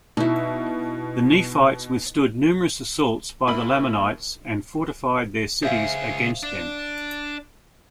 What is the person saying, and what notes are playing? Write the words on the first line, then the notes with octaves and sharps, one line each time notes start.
The Nephites withstood numerous assaults by the Lamanites, and fortified their cities against them.
B2 D#4 E4
D#2 E4 B5 F#7
C#2 G#4 C5 E5 F5
D4